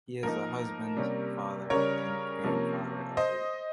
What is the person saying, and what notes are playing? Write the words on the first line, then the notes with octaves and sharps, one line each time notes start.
He is a husband, father, and grandfather of eight.
F3 A#3 D#4 A#4
C3 G3 A#3 C#4
C#3 G3 C#4 A#4 C#5
C3 F3 A#3 C#4
C5 D#5